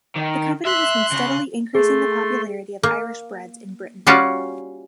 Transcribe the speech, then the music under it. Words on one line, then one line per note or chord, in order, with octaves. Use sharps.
The company has been steadily increasing the popularity of Irish breads in Britain.
D#3
E5 C6 F#6
C#3
A3 G#4 A4 C6
A#3
G3 C#4 F4 F#4 C#5 D5